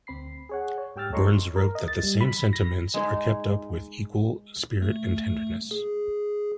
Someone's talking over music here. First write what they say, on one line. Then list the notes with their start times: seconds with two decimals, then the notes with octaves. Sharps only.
Burns wrote that "The same sentiments are kept up with equal spirit and tenderness".
0.07 D2 C4 B5 C7
0.49 G#4 C#5 F#5
0.78 C#5
0.96 G#2 G4 G5 E6 F6 A6
1.12 A4 C#5 D#5 A#5 C6 C#6
1.56 A#4
1.75 D#5
1.88 A6
2.03 G3
2.21 B5
2.53 A#6
2.94 G#3 D#4 G#4
4.82 A3
5.71 G#4